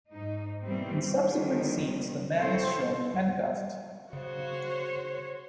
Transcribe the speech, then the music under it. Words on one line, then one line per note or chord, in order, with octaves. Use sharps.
In subsequent scenes, the man is shown handcuffed.
G#2 D#4
B2 E3 G3 A#3 C4
D3 D#3 F3 G3 A#3
C4 E4 F#4 A4 C5 C#5
C#3 F#4 C5 C#5